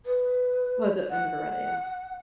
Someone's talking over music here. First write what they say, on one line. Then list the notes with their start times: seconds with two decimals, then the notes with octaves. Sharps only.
We the, I never read it, yeah.
0.05 B4
1.10 F#5